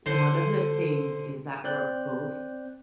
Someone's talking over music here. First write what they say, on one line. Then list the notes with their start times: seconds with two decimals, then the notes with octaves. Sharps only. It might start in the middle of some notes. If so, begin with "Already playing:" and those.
one of the things is that we're both
0.06 D3 C5
1.64 C4 D5 F#6 G6